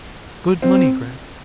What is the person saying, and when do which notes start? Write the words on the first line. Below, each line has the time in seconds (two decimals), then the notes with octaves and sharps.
Good money, Gregg.
0.62 C4